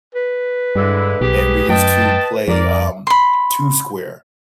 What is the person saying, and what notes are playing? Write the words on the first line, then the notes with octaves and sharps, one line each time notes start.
and we used to play, um, Two Square,
B4
G2 D3 G#3 E4
B1 G4 G#4
F#2 D#5 G5 A5
F2 A#4 D5
B5 C6